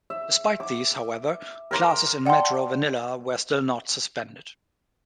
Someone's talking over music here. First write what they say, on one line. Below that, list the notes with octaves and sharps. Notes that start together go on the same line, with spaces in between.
Despite these, however, classes in Metro Manila were still not suspended.
E5
D6
A#4 A#5 C6 D6
D5 F#5 G5 A5 C6